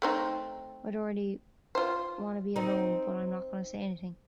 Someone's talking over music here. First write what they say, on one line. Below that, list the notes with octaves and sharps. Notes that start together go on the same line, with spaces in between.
I don't really wanna be alone, but I'm not gonna say anything.
A3 C4 D#4
F4 C5
C4 D#4